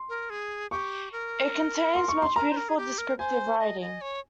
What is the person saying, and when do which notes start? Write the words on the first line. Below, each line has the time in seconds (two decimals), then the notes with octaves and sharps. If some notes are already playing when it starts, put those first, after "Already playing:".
It contains much beautiful descriptive writing.
Already playing: C6
0.09 A#4
0.30 G#4
0.71 G4 C#6
1.12 A#4
1.95 C6
2.08 C#6
2.22 C6
2.36 A#4 A#5
2.51 C5
2.57 A#4
2.69 G#4
2.78 G4
2.98 A#4
3.19 C5 G#5
3.59 D#5
3.81 D#5
4.01 C#5